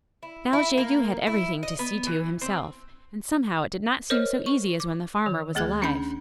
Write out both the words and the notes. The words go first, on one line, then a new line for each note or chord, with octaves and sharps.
Now Jegu had everything to see to himself, and somehow it did not seem so easy as when the farmer was alive.
E4
E4
A#3
E4
D#5
B3
E3
C4
A#4 C5 C#5 D#5 F6
C#6
D6
D#3
D2 A3 G#4 F#6 G#6
C#4 D4 B5 G6